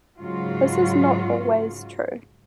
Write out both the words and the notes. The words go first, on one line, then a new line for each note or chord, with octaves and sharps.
This is not always true.
G#2 C#3 F#3 F4 F#4